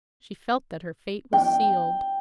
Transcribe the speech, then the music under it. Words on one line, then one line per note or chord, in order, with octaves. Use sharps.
She felt that her fate was sealed.
G5